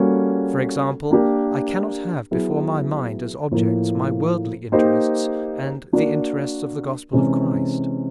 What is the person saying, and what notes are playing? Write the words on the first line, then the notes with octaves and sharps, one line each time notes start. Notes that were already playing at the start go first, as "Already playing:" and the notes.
For example, I cannot have before my mind as objects my worldly interests and the interests of the gospel of Christ.
Already playing: G3 A#3 C#4 F#4 A4
A#3 D4 G4 A#4
F#3 B3 E4 G#4
A2 F3 A#3
A#3 D#4 G4 C5
A#3 D4 F#4 A#4 D5
C3 E3 G#3 C#4